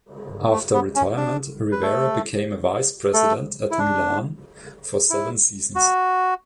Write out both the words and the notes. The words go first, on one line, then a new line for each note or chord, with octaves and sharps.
After retirement, Rivera became a vice-president at Milan for seven seasons.
A3
B3
C#4
D4
B4
A3 A4
A3 A4
E4
D4
E4
F#4